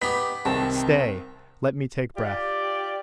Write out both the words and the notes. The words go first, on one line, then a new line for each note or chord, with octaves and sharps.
Stay, let me take breath ...
B3 D#4 G4 B6
C2 D#3 C4 A5
F4 G4 D5